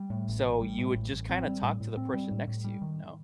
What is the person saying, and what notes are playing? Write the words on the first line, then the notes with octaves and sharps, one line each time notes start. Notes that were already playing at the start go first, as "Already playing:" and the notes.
so you would just kinda talk to the person next to you, you know?
Already playing: G3
A2
A1
A1
G3
A2
A1
A1
C4
G3
A2
A2
C4
G3
A2
A2
G3
D#3